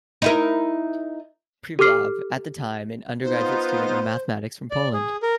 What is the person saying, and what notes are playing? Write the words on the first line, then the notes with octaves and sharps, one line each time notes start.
"Privalov", at that time, an undergraduate student of mathematics from Poland.
D#4 E4 A#4
G4 A4 D6 F6 C7
B3 D#4 F4 C5
D5
G#4
A#4